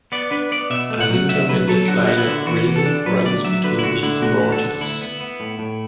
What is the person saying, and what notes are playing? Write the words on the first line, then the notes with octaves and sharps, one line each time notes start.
An intermediate line of green runs between these two borders.
B3 D5
D4 B4
B3 D5
B2 E5
A3
F#5
F#3
D2 E5
F#3 B4
F#3 A4
D3 F#4
B3 F#4
E4
D3
E3 F#4
E3
A4
D4
F#3 B4
D2 D5
F#3 E5
D3 B4
E4
D2 F#4
D3 E4
A3 F#4
D3
A4
D3
D2 E4
B3
B3
A2
A2